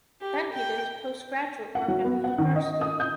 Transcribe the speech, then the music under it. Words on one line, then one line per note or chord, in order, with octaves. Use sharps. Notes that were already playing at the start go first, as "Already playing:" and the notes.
Then he did his postgraduate work at the university.
G4
G5
F#5
F#3
B3
F#5
D#3
D#5
D#6
G6